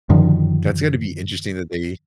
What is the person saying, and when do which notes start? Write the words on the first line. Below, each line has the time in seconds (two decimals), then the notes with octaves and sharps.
That's gonna be interesting that they
0.10 F#2 D3 D#3 F3